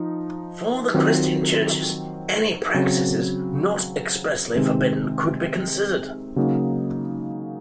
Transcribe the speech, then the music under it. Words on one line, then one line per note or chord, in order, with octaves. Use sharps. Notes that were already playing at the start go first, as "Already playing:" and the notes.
For the Christian Churches, any practices not expressly forbidden could be considered.
Already playing: F3 D#4
D#3 F#3 C4 F4
C#3 F#3 C4
C3 D#3 G#3 C4
C#3 F#3 A#3 D#4 F#4